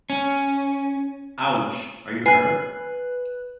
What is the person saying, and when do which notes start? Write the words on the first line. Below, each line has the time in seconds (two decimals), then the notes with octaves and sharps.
Ouch! Are you hurt?
0.10 C#4
2.26 B4 G#5 F#6 C7